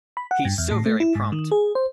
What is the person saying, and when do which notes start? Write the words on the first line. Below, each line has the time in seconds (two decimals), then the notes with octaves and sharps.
He's so very prompt!
0.17 B5
0.31 F#5
0.45 G2
0.58 E2
0.71 A2
0.86 A3
1.00 E4
1.15 G#2
1.32 D#3
1.51 G#4
1.75 C5